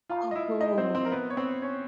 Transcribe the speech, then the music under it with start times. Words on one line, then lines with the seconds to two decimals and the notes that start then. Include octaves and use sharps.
Oh, cool.
0.09 F4 F5
0.31 D#5
0.35 E4 E5
0.61 D#4 D#5
0.78 C4 C5
0.95 C4 C5
1.05 A#4
1.12 B3 B4
1.30 C#5
1.37 C4 C5
1.62 C#4 C#5